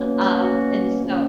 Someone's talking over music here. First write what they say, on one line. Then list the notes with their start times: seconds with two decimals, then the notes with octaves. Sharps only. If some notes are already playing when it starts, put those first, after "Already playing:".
um, and so
Already playing: B2 F#3 A#3 C#4
0.42 F#4
1.03 C#3 F3 A#3 C#4